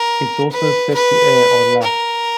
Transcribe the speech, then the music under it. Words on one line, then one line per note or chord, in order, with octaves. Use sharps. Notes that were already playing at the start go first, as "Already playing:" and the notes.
It's also set to air on Laff.
Already playing: A#4
B4
B4
A#4